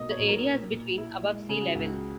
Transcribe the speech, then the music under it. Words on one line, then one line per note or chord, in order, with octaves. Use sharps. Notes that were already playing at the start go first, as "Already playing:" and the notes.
The area is between above sea level.
Already playing: B1 B2 A#3 D#5
C#5
B1
A#4
A#2
A#2
E4
G#3
C#3 G#4
F#4
C#2
F#4